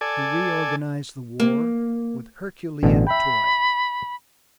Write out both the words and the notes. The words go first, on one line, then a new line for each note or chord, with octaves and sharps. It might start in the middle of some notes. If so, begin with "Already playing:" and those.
He reorganized the war with HERCULEAN TOIL.
A4 D5 G#5
A#3
A1 B2 D3
E5 G5 B5